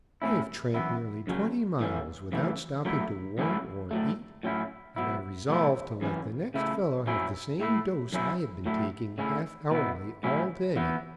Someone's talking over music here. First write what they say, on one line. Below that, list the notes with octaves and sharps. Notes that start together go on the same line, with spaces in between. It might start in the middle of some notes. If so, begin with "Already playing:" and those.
I have tramped nearly twenty miles without stopping to warm or eat; and I resolved to let the next fellow have the same dose I have been taking half-hourly all day.
A2 A3 C#4 E4
F#2 E3 B3 E4
F#2 C#3 F#3 C#4
A2 E3 A3 C#4
F#2 C#3 E3 A3
F#2 F#3 A3 E4
F#2 E3 A3 C#4 E4
A2 F#3 A3
A2 F#3 C#4 E4
B2 F#3 B3 E4
B2 F#3 A3 E4
F#2 E3 C#4
C#3 A3 E4
F#2 F#3 C#4 E4
A2 A3 E4
F#2 F#3 C#4 E4
A2 F#3 A3 E4
C#3 A3 C#4 E4
B2 B3 E4
A2 F#3 A3 C#4 E4
E2 E3 B3 E4